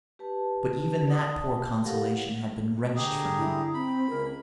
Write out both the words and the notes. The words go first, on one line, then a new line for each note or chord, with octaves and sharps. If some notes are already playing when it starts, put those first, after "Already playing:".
But even that poor consolation had been wrenched from him.
G4 B4 A5
D5 D#6
A5
G4 A4 A#4 F5 F#5
D3 G4 G#4 A#5
E4
C4 B5
C#2 A#4